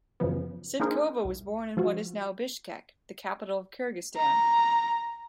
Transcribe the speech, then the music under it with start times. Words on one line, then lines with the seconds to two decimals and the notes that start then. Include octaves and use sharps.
Sydykova was born in what is now Bishkek, the capital of Kyrgyzstan.
0.20 F#2 C#3 E3 F3 B3
0.79 A#3 D4 D#4 G#4 A#4 C5
1.25 C2
1.77 F3 F4 F#4
4.17 A#5